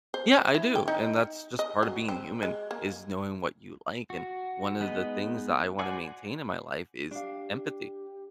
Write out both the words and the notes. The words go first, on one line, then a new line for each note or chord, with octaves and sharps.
Yeah, I do, and that's just part of being human is knowing what you like and one of the things that I wanna maintain in my life is empathy.
C5
E4
G5
D#4
D#5
F#3
C4
G#3
A#3
F#4
G#3 B3 D#4 B4 D#5
F#4 C5 D5 F#5 G#5
D4 G4 F5